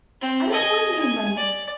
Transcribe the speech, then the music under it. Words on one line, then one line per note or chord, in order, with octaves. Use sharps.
I don't want any money.
C4
D#5 G#5
G#5
D5